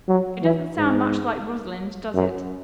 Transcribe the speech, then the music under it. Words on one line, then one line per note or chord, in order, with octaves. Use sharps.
It doesn't sound much like Rosalind, does it?
F#3
E3
G#2
F#2